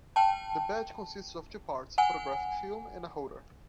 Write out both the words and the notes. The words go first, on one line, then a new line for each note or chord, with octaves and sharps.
The badge consists of two parts: photographic film, and a holder.
G5 A5
F#5 G#5